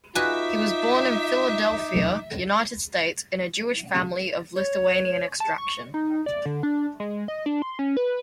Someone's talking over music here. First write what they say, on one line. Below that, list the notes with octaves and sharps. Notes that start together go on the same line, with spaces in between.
He was born in Philadelphia, United States, in a Jewish family of Lithuanian extraction.
D#4 F4 F#4 B4 E5 G#5 D6
C#5
A5
C#6
D#4
D5
D3
D4
G#3
D#5
D4
C6
C#4
B4